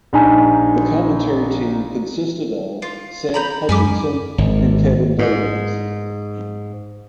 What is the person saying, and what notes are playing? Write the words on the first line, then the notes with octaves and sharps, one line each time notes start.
The commentary team consisted of Seb Hutchinson and Kevin Davies.
A#1 D#4 G#5
F4
A#5 B5 G6
F#2 G#3 G#5 B5 D6
G#1
G#2